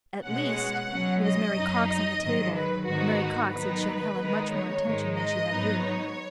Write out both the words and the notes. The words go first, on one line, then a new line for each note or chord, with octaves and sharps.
At least, it was Mary Cox on the table, and Mary Cox had shown Helen much more attention than she had Ruth.
B2 G#3 C#4 F#5
B2 F#3 C#4
D#5
F#2 F#3 D#4
D#5
G#2 D#3 F#3
B4
G#2 D#3 B3 D#4 F#4
D#3 F#3 B3 D#4 B4
D#3 G#3 B3 D#4
C#5
G#2 D#3 G#3 D#4
D#5
G#2 F#3 B3 D#4
C#5